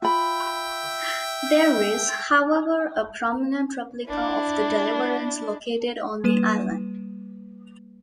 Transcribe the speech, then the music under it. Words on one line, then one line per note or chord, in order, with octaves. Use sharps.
There is, however, a prominent replica of the "Deliverance" located on the island.
F4 E5 G5 B5
D4 E4
G3 A#3 B4 D#7 E7